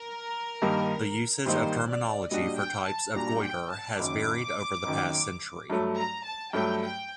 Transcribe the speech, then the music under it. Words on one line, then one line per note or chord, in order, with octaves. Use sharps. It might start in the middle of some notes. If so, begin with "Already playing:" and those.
The usage of terminology for types of goiter has varied over the past century.
Already playing: A#4
G2 D#3 G3 A#3 D#4
G2 D#3 G3 A#3 D#4 C5
D5
A#2 G3 D4 F#4 D#5
G5
A5
A#2 G3 D4 F#4 A#5
G5
A5
F#1 F#2 D#3 D6
F#1 F#2 D#3
G2 F#3 A3
A#5
A5
G2 F#3 A3 G5
G5